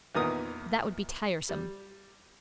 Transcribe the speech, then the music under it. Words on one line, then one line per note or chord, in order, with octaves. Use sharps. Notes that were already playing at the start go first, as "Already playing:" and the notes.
That would be tiresome.
E2 A#2 D#3 B3 A#5 D#6
G3